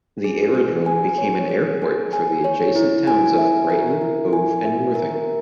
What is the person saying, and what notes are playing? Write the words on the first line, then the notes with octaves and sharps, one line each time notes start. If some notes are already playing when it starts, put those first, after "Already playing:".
The aerodrome became an airport for the adjacent towns of Brighton, Hove and Worthing.
G#4
G#4
G#5
C#5
G#4
G#4
G#5
C#5
E4
G#5
E5
A#4
E4
G#5
E5
A#4